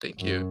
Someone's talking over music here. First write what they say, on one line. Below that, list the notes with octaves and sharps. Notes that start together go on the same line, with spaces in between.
Thank you.
F#2